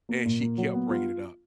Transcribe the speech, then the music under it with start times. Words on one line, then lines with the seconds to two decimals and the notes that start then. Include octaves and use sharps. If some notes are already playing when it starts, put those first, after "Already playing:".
and she kept bringing it up.
0.09 A#3
0.25 A#2
0.41 A#3
0.58 F#3
0.74 B3
0.90 F4